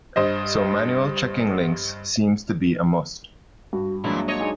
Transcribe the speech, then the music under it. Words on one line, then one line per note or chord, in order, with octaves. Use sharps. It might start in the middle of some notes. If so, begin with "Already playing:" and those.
So manual checking links seems to be a must.
G2 C5 D#5
G2 F#4
E2 A#2 F#3 G#3 A#3 D4 E4
A#2 C#5 D#5
D#4 G#4 G#5